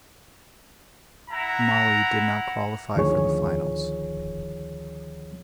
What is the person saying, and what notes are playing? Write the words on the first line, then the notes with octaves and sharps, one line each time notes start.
Mali did not qualify for the finals.
E4 F#5 A#5
D2 D#3 F3 G#4 C#5